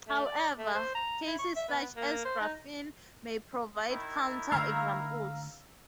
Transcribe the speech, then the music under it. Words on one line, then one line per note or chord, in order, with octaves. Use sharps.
However, cases such as graphene may provide counter-examples.
A3
D5
A3
C5
A#5
E4
C#6
E5
B3
A#3
C5
D#4
D#3 E4
D3 A3 F5 A#5 E6